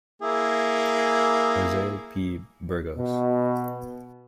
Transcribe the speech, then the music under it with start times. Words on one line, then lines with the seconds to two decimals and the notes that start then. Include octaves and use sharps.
Jose P. Burgos.
0.22 A#3 E4 G#4
2.97 B2